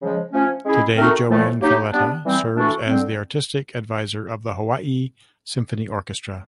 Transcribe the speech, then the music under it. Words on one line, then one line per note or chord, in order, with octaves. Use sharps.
Today, JoAnn Falletta serves as the artistic advisor of the Hawaii Symphony Orchestra.
C#3 F3 G#3
F3 A3 C#4
G#3 C#4 E4 G#4
A3 C4 D#4 F#4 A#4
A2 F3 A3
F#3 A#3 D#4 G4
G3 B3 D4
E3 G3 C4 E4
E3 A3 D4 F#4 A4
D3 G3 C4